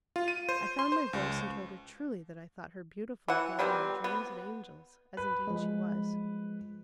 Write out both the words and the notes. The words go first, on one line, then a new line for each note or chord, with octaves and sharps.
I found my voice and told her truly that I thought her beautiful beyond my dreams of angels--as indeed she was.
F4
D#7
C5
C6
C5
C#2
E3 F#5
D#3 G3 B3 C4
B3
B4
F3 G#3